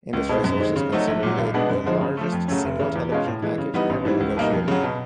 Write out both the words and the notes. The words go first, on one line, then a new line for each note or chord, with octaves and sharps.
Industry sources considered it the largest single television package ever negotiated.
C#2
B2 G#3 C4
F#2
D#3 G#3 C4
C#3
F#3 A3 C4 D#4
A#1
A#2 F#3
B1
B2 G#3 B3 D4
F#2
D3 F3 G#3 C4
C#3
F3 A3
F2
C#3 F#3 A3 C#4
F1
E2 C#3
E2
B2 G#3 C#4 F4
A2
E3 G#3
C#3
E3 G3 B3 D#4
A1
G#2 E3 G3 C4
C#2
B2 G3 A#3 D#4
F2
C#3 F#3
B2